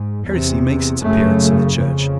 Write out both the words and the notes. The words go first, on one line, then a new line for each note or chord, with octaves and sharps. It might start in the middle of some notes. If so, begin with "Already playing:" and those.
Heresy makes its appearance in the Church.
Already playing: G#2
E2 C3
F#2 C#3 A3
F2 C#3